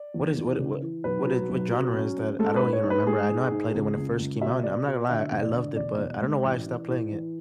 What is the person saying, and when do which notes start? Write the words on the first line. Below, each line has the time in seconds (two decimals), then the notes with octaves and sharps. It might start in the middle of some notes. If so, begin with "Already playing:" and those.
What is what what what is what genre is that? I don't even remember, I know I played it when it first came out, and I'm not gonna lie, I loved it, but I don't know why I stopped playing it.
Already playing: D5
0.14 E2
0.37 E2
0.59 C#3
0.82 E3
1.04 B1 B4
1.27 F#3
1.49 B1
1.72 F#3
1.94 C#4
2.17 C#4
2.39 G#3 A4
2.56 B4
2.61 G#2
2.73 C#5
2.84 G#2
2.90 B4
3.06 G#3 G#4
3.29 G#2
3.52 G#2
3.74 C#2
3.97 C#2
4.19 C#2
4.42 B2 E5
4.64 B2 D5
4.87 B2
5.09 D3 E5
5.31 E1
5.42 D5
5.54 D3
5.76 E1 D5
5.99 E1
6.21 G#3
6.44 A1
6.67 E3
6.89 A2
7.11 E3